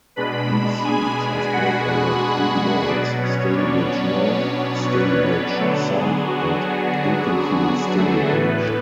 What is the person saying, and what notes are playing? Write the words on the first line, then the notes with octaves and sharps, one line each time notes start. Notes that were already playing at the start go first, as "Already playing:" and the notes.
These seats are spread over three wards: Stalybridge North, Stalybridge South and Dukinfield Stalybidge.
B2 G#3 D4 B4 B5
G#4 G#5
F#4 F#5
F#4 F#5
B2 F#3 B3 D4 D5
C#4 C#5
D4 D5
C#4 C#5
B3 B4
D3 F#3 A3 B3 D4 A4
G#4
F#4
G#4
F#4
G#4
A3 A4
A2 E3 A3 B3 B4